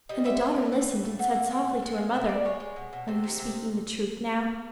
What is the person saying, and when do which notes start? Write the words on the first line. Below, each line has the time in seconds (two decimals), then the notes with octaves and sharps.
And the daughter listened, and said softly to her mother: 'Are you speaking the truth now?'
0.09 G3 D#5
0.25 D3 E5
0.41 D3 F5
0.56 A2
0.72 E3
0.88 A2
1.04 A3
1.19 A2 F#5
1.35 E3
1.51 A2 F#5
1.67 A3
1.82 G#3
1.97 G#3 F5
2.13 B2 E5
2.29 B2 D5
2.45 G#3 C#5
2.60 G#3
2.76 B2
2.93 B2
3.08 C3 C5
3.24 D#3
3.39 C3